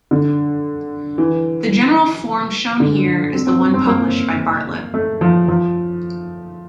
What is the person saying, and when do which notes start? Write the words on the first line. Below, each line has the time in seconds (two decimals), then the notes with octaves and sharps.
The general form shown here is the one published by Bartlett.
0.11 D3
1.18 E3
2.80 D3
3.33 C4
3.47 C4
3.60 C4
3.74 C4
3.87 A#3
4.94 A3
5.21 F3
5.48 F3